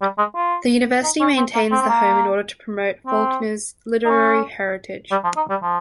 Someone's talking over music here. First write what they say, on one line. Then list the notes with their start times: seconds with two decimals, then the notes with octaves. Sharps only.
The University maintains the home in order to promote Faulkner's literary heritage.
0.01 G3
0.18 G#3
0.35 F4
1.03 D#4
1.20 C#4
1.37 C4
1.54 A#3
1.72 C4
1.82 C4
1.89 A#3
3.07 C4
4.05 D#4
4.09 C#4
5.11 G3
5.24 F3
5.36 D#4
5.50 G3
5.62 F3